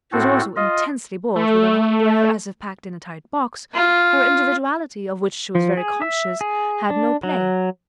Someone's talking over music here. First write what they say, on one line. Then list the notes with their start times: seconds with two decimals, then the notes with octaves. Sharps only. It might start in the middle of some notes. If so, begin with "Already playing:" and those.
She was also intensely bored with her home where, as if packed in a tight box, her individuality--of which she was very conscious--had no play.
0.13 A2 C4 F#4 A4
0.56 F4 D#5
1.36 A3
3.74 F4
5.55 F3
5.77 G#4
6.02 E5
6.41 G#4
6.90 D4
7.23 F#3